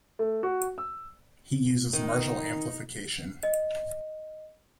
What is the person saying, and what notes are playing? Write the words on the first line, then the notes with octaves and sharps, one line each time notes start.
He uses Marshall Amplification.
A3
F#4
E6
D#3 D#4
D#5